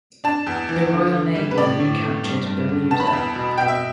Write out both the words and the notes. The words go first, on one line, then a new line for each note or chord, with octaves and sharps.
The Royal Navy recaptured "Bermuda".
D4 A5
E2
E3
D3
D3
G3
B4
A2 D5
A2
A3
G2
G2
D3
B3 A5
B5
A5
E2
B2
B2 G5
E5